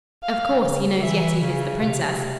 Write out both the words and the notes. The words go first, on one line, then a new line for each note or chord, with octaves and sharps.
Of course, he knows Yetive is the princess.
F5
C#3
E3 E5
C#3
C3 F5